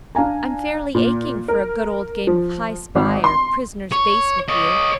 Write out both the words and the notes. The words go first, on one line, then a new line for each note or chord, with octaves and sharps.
I'm fairly aching for a good old game of hi spy or prisoner's base with you.
D4 F5 G#5 A#5
A#2
A#4
F3
G#1
C6
C#5
C#5 D#5